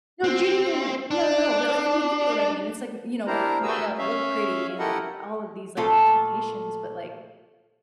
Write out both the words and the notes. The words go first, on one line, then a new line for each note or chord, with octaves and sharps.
No, genuinely. No no, but, like, you you get what I mean, it's like, y you know, smile, look pretty, and, like, all of these, like, expectations. But like,
C4
D4
D4 E4 G4 A#4 C5 A#5
F#4 G#4 A#4 B4 E6
C#4 E5 F5
E4 G4 A4 A#4 D#5 F#5
A#2 A3 F4 A4